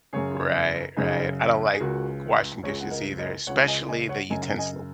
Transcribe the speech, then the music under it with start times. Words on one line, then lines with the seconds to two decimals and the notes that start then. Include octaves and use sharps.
Right, right. I don't like washing dishes either, especially the utensil.
0.13 F#2 C#3 G#4 C#5
0.96 F#2 C#3 D#4 G#4
1.74 G#4
1.80 C#2 C#3 F#4 A#4
2.63 C#2 C#3 G#4 C#5
2.80 F#5
2.91 A#4 D#5
3.19 A#4 D#5
3.47 C#2 C#3 C#5 F#5
3.68 D#5 G#5
3.88 D#5 G#5
4.09 C#5 F#5
4.30 F#2 C#3 D#5 G#5
4.58 D#5 G#5